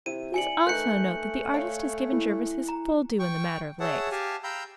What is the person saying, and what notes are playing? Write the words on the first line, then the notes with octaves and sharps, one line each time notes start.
Please also note that the artist has given Jervis his full due in the matter of legs.
C3 E4 D#7
E4 D5 G#5 C#7 F#7
A3 D#4 A#4 B4 F#6 G6 C#7
C#5 F5
E4
A#5
G5 C#6
G#4 C#5 E5 F#5 A5
G4 F5 G#5 A5
F5 G5 A#5 B5 E6 G6